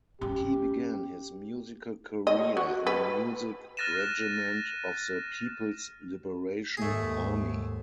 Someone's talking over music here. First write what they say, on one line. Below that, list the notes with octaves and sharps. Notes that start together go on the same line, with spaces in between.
He began his musical career in a music regiment of the People's Liberation Army.
C#4 G4
D#5
F#4
B4
F6 F#6 A6 A#6 D#7 E7
D#2 G#2 A3 G#4